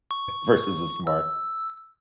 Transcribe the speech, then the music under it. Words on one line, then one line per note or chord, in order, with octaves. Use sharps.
Versus the smart
C#6
E6